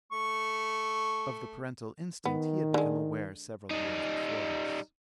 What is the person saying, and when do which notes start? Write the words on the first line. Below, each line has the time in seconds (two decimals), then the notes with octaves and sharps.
Of the parental instinct he had become aware several years before this.
0.12 A3 C#6
2.25 D#3 B3
2.74 D3 G#3
3.71 G3 D#4